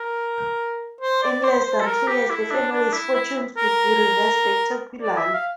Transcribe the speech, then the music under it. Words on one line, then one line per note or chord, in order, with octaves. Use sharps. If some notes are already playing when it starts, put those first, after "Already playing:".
In less than two years the family's fortunes would be reversed spectacularly.
Already playing: A#4
C5
D5
C5
C5
A4
A#4
G4
E4
D4
D4
E4
E4
A#4
D5
E5
F5